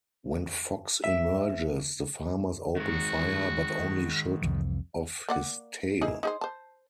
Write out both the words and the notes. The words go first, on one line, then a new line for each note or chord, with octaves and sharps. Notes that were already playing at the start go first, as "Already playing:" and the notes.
When Fox emerges, the farmers open fire, but only shoot off his tail.
E5
D#3 G#3 F#4
C2 F2 E3
A#3 D5 F#5
D#4 E4 G#4
D#4 G#4 C5
C5 A5